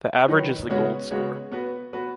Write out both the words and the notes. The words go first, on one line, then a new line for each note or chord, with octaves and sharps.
The average is the Golde score.
D#3 F#3 D#4 B4
C#3 G#3 B3 F#4 C#5
C#3 G#3 B3 F#4 C#5
B3 F#4 B4
B3 F#4 B4